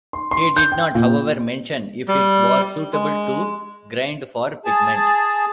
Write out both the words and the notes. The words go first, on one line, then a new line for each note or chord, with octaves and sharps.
He did not, however, mention if it was suitable to grind for a pigment.
C6
C6
G6
G5
A#2
G3
G#3
G#4 A5